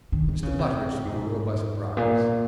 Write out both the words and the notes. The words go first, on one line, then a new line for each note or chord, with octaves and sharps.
Mr. Butteridge took the world by surprise.
D#3
D#3
C#3
C3
G#2
A#2